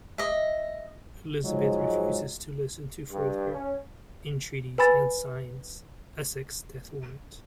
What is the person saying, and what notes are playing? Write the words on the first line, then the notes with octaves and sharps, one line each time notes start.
Elizabeth refuses to listen to further entreaties and signs Essex's death warrant.
D#5 E5
G#2 F3 F#3 G#3
G2
C#4
B4 G#5 B5 A6